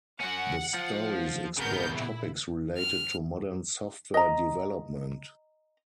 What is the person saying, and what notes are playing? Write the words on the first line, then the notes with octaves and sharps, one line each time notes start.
The stories explore topics related to modern software development.
C#4 F#4 F#5
F3
G#1 C#3 B3 A#4 G6
A#2 E4
F6
D#5 A#5